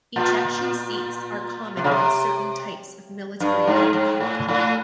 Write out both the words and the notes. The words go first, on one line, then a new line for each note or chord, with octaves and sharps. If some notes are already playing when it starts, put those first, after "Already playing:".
Ejection seats are common on certain types of military aircraft.
A#2
C3
C#3
C3
G2
G#2
G#2
A2
A2